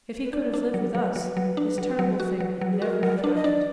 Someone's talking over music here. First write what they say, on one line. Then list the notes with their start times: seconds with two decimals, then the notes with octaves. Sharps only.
If he could have lived with us, this terrible thing would never have happened.
0.24 B4
0.33 D4 D5
0.54 D4
0.74 F#3 A#4
0.95 F#3 B4
1.16 F#3 B4
1.37 F#3
1.57 D4
1.78 F#3
1.99 F#3
2.20 F#4
2.40 F#3
2.61 F#3
2.71 G#4
2.82 F#4 A#4
3.03 F#3 A#4
3.17 D5
3.24 D4 B4
3.35 D#5
3.44 D4 D5